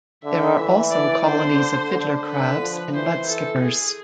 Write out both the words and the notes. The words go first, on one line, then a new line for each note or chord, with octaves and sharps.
There are also colonies of fiddler crabs and mud-skippers.
D3 E5
E3
D5
D3 C5
D3
B4
F3
E3 C5
A4
G#4